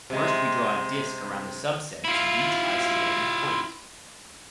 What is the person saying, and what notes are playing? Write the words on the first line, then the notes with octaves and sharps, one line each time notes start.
First, we draw a disc around the subsets of each isolated point.
C3 G#3
E4 F4